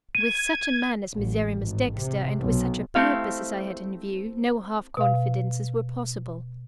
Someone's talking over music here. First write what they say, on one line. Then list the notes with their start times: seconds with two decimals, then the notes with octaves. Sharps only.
WITH such a man as Miserrimus Dexter, and with such a purpose as I had in view, no half-confidences were possible.
0.15 G#6 D#7
1.14 A1
1.60 G#1
1.97 C3
2.40 B1
2.95 A3 C4 E4 G4 C5 F5
4.97 B2 F5